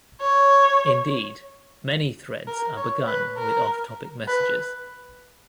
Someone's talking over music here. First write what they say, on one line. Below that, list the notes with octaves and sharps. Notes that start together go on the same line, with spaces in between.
Indeed, many threads are begun with off-topic messages.
C#5
A#4
C#5
B4
A#4
B4